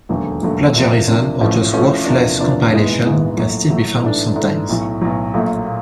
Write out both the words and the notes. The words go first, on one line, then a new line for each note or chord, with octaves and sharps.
Plagiarism or just worthless compilations can still be found sometimes.
E1 D#2 D3 F#3 A3
E1 D#2 D3 F#3 A3
C3 F3 A#3 D4
C3 F3 A#3 D4
A1 A2 F3 A3 C#4
A1 A2 F3 A3 C#4
E2 C3 F3 A#3 D4
E2 C3 F3 A#3 D4
A#1 G#2 E3 G#3 B3
A#1 G#2 E3 G#3 B3
A#1 A2 F#3 A3
A#1 A2 F#3 A3
G#2 E3 A3 D4
G#2 E3 A3 D4
B1 A2 F#3
B1 A2 F#3
A#1 A#2 F#3 A3
A#2